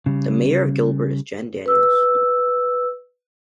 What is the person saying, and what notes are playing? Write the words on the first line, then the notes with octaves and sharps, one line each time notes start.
The mayor of Gilbert is Jenn Daniels.
C#3 G3
B4 E6